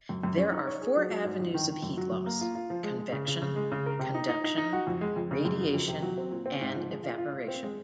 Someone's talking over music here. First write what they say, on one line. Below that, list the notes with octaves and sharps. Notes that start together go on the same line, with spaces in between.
There are four avenues of heat loss: convection, conduction, radiation, and evaporation.
F#2
F#2
C#4
D#4
C#5
G#4
F#3
F#3
G#2
F2
D#3
D#3
F#2
F#3
F#2
A#3
F4
F4
F3
G#3
G#3
C#3
C#3
C#3
G#3
C#3
A#4
C3
D#4
D#4
D#4
D#4
F#4
F2
G#3
F2
C#3
F#2
F#3
F2
C3
F#3
C4
A#2
C4
G#2
F3
G#3
F4
F4
F4
C4
G#3